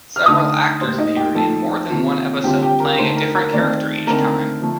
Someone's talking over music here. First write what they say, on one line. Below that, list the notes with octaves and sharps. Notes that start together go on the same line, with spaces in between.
Several actors appeared in more than one episode playing a different character each time.
F6
D3 A3 D#4 D#5 D#6
A2 G3 A#3 C5 C6
D#4 D#5
G4 G5
F3 A3 D#4 A4 A5
C3 D#3 A#3 F4
D3 G3 C4 F4 G4 G5
G4 G5
A#4 A#5
D3 A3 D#4 C5 C6
A#4 A#5
A#4 A#5
D#3 A3 C4 D#4 D5
D3 A3 C4 D#4 A#4 A#5
F3 A3